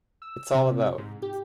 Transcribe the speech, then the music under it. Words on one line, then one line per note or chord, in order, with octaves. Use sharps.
It's all about.
E6
C3
G#2
G4